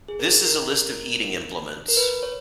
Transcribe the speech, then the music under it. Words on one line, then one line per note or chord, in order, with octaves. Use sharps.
This is a list of eating implements.
G#4
A#4
A#4
A#4
B4
C#5